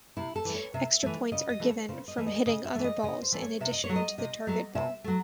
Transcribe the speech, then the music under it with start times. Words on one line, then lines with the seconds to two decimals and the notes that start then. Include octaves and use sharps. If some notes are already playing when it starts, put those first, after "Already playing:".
Extra points are given from hitting other balls in addition to the target ball.
0.17 C3 E4
0.36 A4
0.45 E3 A3
0.55 C#5
0.74 C3 E5
1.03 E3 A3
1.32 C#3 D#5
1.50 D#5
1.60 E3 A3
1.69 C#5
1.89 C#3 C5
2.08 D#5
2.17 E3 A3
2.26 D#5
2.46 C#3 D#5
2.65 E5
2.75 E3 A3
2.84 D#5
3.03 C#3 D#5
3.22 C5
3.32 E3 A3
3.42 C#5
3.60 C3 E5
3.72 D#5
3.84 C#5
3.89 F#3 A3
3.96 D#5
4.18 C3 D#5
4.47 F#3 A3
4.75 C3 E5
5.04 F#3 A3